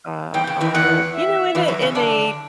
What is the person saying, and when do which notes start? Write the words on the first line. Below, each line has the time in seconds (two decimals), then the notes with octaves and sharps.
uh, are, you know, in a, in a
0.34 E2 E3 G5
0.47 C#3
0.61 E2 E3
0.74 E2 E3 F#5
1.15 E5
1.55 E2 E3
1.68 F#2 F#3
1.82 C#3 C#4
1.95 D3 D4